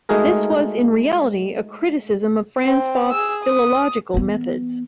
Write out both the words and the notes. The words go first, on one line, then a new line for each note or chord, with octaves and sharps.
This was in reality a criticism of Franz Bopp's philological methods.
G#3 A3 D#4 F#4 G#4 A#4
C4
G#4 E6
D#6
E3 B3